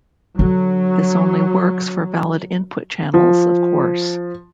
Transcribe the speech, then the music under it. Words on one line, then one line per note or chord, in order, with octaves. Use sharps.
This only works for valid input channels, of course.
D3 F#3 D4
F3